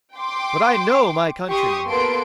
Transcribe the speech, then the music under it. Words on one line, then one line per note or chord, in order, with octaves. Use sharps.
But I know my countrymen.
G5 C6 D6
G4 C6 C#6 D#6
A#3 B3 A4 B4 C6 D7